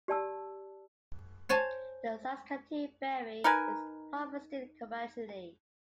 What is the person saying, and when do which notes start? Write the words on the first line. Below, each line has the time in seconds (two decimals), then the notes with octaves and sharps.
The saskatoon berry is harvested commercially.
0.08 G4 D5 A5 E6
1.49 C5 C#5 G#5 A5
3.44 D#4 A#4 B4 G#5